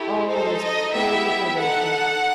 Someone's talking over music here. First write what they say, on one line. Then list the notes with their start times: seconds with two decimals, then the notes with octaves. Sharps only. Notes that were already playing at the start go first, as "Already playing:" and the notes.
All was clear to probation.
Already playing: A3 E4 G4
0.28 D#4 A4 C5
0.61 D#5
0.93 B3 E4 G4 E5
1.58 D#4 A4 F#5